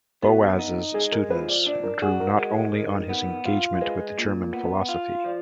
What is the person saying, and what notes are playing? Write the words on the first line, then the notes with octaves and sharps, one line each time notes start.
Boas's students drew not only on his engagement with German philosophy.
B3 F#4
D#4
G#3 G#4
A#4
F3 B4
D5
D4 D5
A#4
F#4 G#4
A#4
G#3 A#4
D#3
B3
F4
G#3 B4
A#2
B3
F4
F3 D5